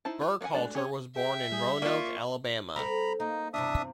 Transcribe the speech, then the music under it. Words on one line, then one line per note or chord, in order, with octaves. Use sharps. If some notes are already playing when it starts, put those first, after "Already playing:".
Burkhalter was born in Roanoke, Alabama.
D#4 E4 C5 A5
F4
B3 F#4 A#4 F#5 G#5
G#3 A3 D4 F#4 D5
C#4 G4 G#4 C#5
G#4 E5 G5
G3 G#4 G6
A#3 F4 D5 F5 C#6
G3 C4 A4 A#5 B5
A#3 D#4
E2 G2 C3 D4 E5 D#6